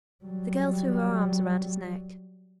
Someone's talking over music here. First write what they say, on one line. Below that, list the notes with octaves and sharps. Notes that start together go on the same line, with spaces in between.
The girl threw her arms round his neck.
F#3 G3